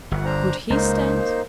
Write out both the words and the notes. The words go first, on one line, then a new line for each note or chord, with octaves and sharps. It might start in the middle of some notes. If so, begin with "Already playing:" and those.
Could he stand?
G1 F#5
D4 C5 A#5
C#2 A#3 D#4 C5